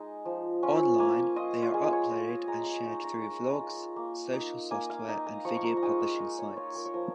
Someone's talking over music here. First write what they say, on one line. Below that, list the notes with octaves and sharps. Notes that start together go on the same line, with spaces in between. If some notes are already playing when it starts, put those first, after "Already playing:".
Online, they are uploaded and shared through vlogs, social software, and video publishing sites.
Already playing: G#3 D#4
F3
C#4 F4
A#3 G#5
F4 D#5
F4
G#3 G#4
C#5
F4 D#5
G#5
G#3 A#5
A#5
C#6
D#4 C#6
A#5
G#3 A#5
F4
A#3
D#4
A#3 G#5
F5
D#4 A#5
A#5
F3 C#6
C#6
A#5
A#5
G#3 D#4 G#5
F5
A#3 D#5
C#5
F4 C#5
A#4
C#5
F3 A#4